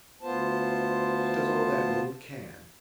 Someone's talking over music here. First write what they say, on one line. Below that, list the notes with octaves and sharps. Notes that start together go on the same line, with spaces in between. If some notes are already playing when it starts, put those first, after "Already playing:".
She does all that woman can.
D2 B3 F4 C5 A5